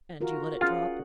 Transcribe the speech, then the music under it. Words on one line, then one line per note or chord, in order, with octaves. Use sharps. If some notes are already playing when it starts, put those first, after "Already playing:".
"And you let it drop?"
F4 F#4 A#4
C#4 F4 G#4 F#5